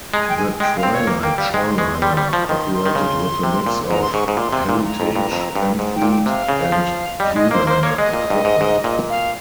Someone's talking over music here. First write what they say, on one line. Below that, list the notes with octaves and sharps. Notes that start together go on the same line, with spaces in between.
The "Twilight Shoreliner" operated with a mix of Heritage, Amfleet, and Viewliner equipment.
G#3 A#5
G#5
G5
G#5
G#5
G#3 G5
F5
C4
C#5
A#3
A#3 G5
G3 F5
G#3 G5
C#6
C6
G#3 C#6
C6
G3 C6
G3
C#6
F3
D#3 C6
C6
D#3
C#3
C3
A#2
C6
G#2 A#5
C6
G#2 C#6
G#2
A#2 C6
C3
A#2
A#5
F2
G2
F2
G2
G#2
G5
A#2
G5
C3 F5
C#3
F3
G3 D#5
G#3 D#5
A#3 C5
A#3 C5
A#3 C#5
G#3 D#5
A#2
G2
G#2
G#2
A#2
F5